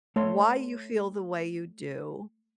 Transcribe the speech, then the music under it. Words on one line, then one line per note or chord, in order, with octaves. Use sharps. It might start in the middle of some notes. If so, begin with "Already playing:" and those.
why you feel the way you do,
A3 C#5 C6